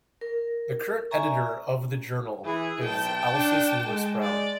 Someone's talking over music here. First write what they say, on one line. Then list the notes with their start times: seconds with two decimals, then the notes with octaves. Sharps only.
The current editor of the journal is Alscess Lewis-Brown.
0.21 A#4
1.11 D5 E5 G#5 A#5 C#6
2.45 E3 E4 G#4
2.83 B1 G5 A5
3.34 D4
3.87 G#3
4.22 D5